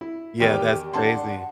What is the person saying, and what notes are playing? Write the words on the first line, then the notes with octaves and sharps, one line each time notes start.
Yeah. That's crazy.
E4
E2 D#3 G4 G5 F6 D#7
D4 F#5 A5 C6